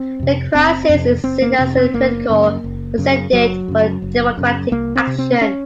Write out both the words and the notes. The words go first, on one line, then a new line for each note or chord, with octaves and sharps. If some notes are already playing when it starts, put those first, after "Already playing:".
The Crisis is seen as a critical precedent for democratic action.
Already playing: C4
F2 C3
F#1 C4
F2
C3
F#1 C4
A#3
F2 C3 C4
C4
F#1 A#3
F#2 C#3
F#1
F#2 C#3
F#1 F#3
F#2 C#3
F#1
F#2 C#3
C2 A#3
C4
C3
C4
C#4